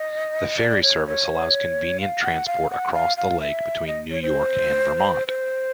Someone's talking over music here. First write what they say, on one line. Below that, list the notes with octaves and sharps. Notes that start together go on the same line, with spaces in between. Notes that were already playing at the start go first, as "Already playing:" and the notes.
The ferry service allows convenient transport across the lake between New York and Vermont.
Already playing: D#5
D5
C#5
C#5
F5
F#5
F5
F#5
F5
F5
E5
D#5
C#5
C5
C5